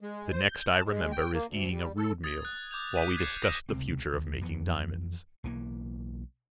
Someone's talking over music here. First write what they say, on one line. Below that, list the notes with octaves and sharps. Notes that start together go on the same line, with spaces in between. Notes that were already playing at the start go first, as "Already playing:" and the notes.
The next I remember is eating a rude meal, while we discussed the future of making diamonds.
G#3
C5
G6
A5
G#3
G5
A#3
D2
G3
A4
D#6 G#6 A6
F#6
D6 G6 F7
G6 B6 D#7
F#6 G#6 C7 C#7 E7
D#6 A#6 C7 D#7 E7
C#2 C3 C4
D#2
F2 E3 B3
B1 E3 A#3